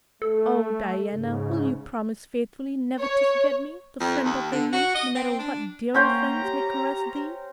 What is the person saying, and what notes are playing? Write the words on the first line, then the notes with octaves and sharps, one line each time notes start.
"Oh, Diana, will you promise faithfully never to forget me, the friend of your youth, no matter what dearer friends may caress thee?"
A3 A4
G#2 C#3
C#5
F2
D#2
D3
F#4
D#5
C4
D4
A#3 C#4 C5 G5 A#5
G4